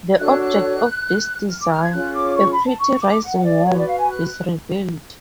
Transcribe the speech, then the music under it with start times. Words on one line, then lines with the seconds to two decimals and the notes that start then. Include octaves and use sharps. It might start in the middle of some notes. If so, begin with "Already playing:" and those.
The object of his desire, "A pretty rising womb", is revealed.
0.19 D4 F#4 A4 C#5 F#6
0.41 F#6
1.49 F6
1.60 D6
1.71 F6
1.82 G#6
1.93 C#4 F4 G#4 C#5 F#6
2.14 D6
2.36 C#6
2.51 B5
2.65 A5
2.79 C#6
3.01 D6
3.22 F#5
3.44 D5
3.66 F#4 B4 C#5
3.77 D5
3.88 F5
3.98 G#5
4.09 F#6
4.25 F#6